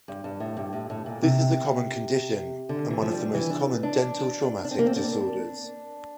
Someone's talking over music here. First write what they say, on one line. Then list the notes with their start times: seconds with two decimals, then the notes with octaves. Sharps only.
This is a common condition and one of the most common dental traumatic disorders.
0.08 G2
0.24 G2
0.40 A2
0.57 G2
0.73 A2
0.90 A2
1.06 A#2
1.22 C3
2.69 D3
2.90 E3
3.02 F3
3.12 G3
3.34 E3
3.50 D4
3.83 D4
4.65 D4
4.71 C4
4.79 A#3
4.86 C4
4.96 D4